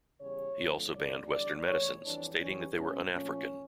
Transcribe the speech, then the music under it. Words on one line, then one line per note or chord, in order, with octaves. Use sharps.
He also banned Western medicines, stating that they were un-African.
E2 C#3 G3 C#5
F2 D3 F3 A3
F2 D3 G3 D5
E2 D3 G3 D5
E2 E3 A3 C#5
F2 E3 G3 D4
E2 E3 G3 C#4
A#2 G3 C#4
A#2 F3 A3 C#4